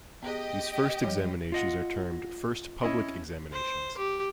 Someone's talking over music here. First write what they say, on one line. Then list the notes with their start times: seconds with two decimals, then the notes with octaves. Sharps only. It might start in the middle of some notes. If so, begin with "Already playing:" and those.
These first examinations are termed "First Public Examinations".
0.22 B3 G4 G#4 D#5
1.03 F3 G3 C#5
1.52 F4 D#5 F#5
2.83 C#4 E4 D#5
3.52 C5
3.98 G4